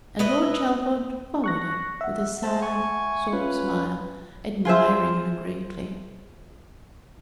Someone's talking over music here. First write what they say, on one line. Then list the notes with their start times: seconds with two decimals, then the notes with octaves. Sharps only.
And Lord Chelford followed her, with a sad sort of smile, admiring her greatly.
0.19 B4 D#5 E5
1.44 C#6 F#6 A#6
2.01 E5 F#5
2.43 C5 A5
2.62 G#5 C#6
3.33 C#4 F4 B4
4.65 F4 G#4 C5 E5